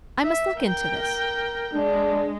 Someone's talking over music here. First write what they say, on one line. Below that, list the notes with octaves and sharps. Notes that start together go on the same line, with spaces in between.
I must look into this.
E5
A#4 G5
G#3 D4